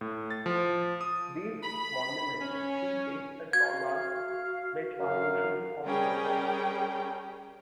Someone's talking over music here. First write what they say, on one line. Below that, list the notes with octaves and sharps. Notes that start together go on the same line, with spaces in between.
These monuments pre-date the taulas, which are usually found nearby.
A2
A6
F3
D#6
B5
C#4
F#4 F5 G#6
F#2 F5
G3 C#4 G#4 A#4 G5